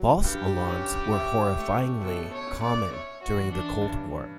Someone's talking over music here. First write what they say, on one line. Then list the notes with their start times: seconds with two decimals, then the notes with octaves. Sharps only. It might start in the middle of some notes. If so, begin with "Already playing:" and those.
False alarms were horrifyingly common during the Cold War.
Already playing: F#3
0.23 G2 G4
0.68 C#4
1.13 E4
1.57 A3
2.03 B2 A4
2.33 C#5
2.47 C#4
2.63 D5
2.92 E4 C#5
3.22 F#4
3.37 E3
3.52 D4
3.81 G2